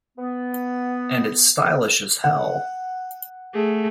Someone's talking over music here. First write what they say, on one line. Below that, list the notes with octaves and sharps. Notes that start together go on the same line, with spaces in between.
And it's stylish as hell.
B3
F#5
A3 G#4